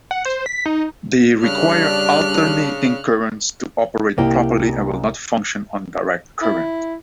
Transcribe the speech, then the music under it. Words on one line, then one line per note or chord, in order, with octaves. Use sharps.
They require alternating currents to operate properly and will not function on direct current.
F#5
C5
B6
D#4
C#3 G3 D4 F6 F#6
C2 A#3 G4
E4